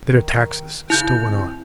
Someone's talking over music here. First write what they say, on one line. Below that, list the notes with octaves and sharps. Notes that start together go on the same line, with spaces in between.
The bitter taxes still went on.
D#3
C#3 E4 G6
C4